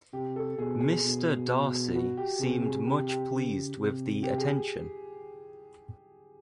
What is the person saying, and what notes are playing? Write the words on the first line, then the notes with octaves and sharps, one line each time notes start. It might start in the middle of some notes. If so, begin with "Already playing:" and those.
Mr. Darcy seemed much pleased with the attention.
C3 G4
A4
B2 G#4
G#4
B2
F#4
G4
C3 G#4
G#4
C3 G4
G4
C#3
C3
G4
G#4